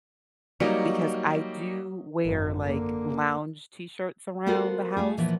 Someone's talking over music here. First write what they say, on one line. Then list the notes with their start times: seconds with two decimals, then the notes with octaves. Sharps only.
because I do wear, like, lounge t-shirts around the house,
0.60 F#3 G3 A#3 D#4
2.23 G#1 F#2
2.64 D3 A#3
4.46 B3 F4 F#4 A4 A#4 C5
4.97 A3 F4 G#4
5.17 A#2 E3 F3 A#3 B3